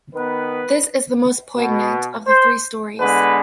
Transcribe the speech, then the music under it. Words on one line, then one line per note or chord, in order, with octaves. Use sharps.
This is the most poignant of the three stories.
D#3 B3 B4
B2 B3
C5
D3 G#3 B3 B4